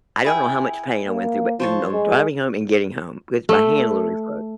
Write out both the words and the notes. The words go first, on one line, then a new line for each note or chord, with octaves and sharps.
I don't know how much pain I went through, but even though, I'm driving home and getting home, 'cause my hand literally froze.
E4 G#4 G5
A#3
F3 C5 C#5 A5
G#3
A3